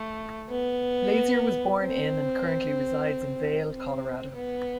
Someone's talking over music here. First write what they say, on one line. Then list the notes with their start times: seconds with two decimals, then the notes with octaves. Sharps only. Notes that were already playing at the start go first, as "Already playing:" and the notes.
Lazier was born in and currently resides in Vail, Colorado.
Already playing: A3
0.49 B3
1.78 C4
3.71 C4
4.35 B3